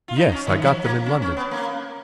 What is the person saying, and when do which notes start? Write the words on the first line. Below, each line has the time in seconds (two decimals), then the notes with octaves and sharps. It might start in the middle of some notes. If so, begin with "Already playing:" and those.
"Yes, I got them in London."
0.08 F4
0.17 D#4
0.32 C#4
0.47 D#3
0.62 F3
0.84 A#3
1.06 C#4
1.22 C#4
1.37 B3
1.51 A#3